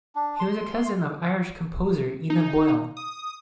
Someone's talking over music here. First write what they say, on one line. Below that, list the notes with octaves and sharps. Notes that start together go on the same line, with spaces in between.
He was a cousin of Irish composer Ina Boyle.
D4
C6
D#4
D#6